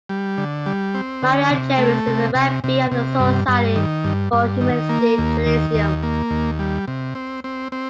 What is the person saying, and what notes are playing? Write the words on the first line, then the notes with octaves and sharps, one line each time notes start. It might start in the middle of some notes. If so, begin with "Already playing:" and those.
Miriam Jerris is the rabbi of the Society for Humanistic Judaism.
G3
D3
G3
C4
D3
C3
A3
C3
C3
C3
C3
G2
G2
D#3
G2
G2
D#3
A#3
D#2
D#3
D#2
A#3
D#2
G3
C3
C4
C4
C4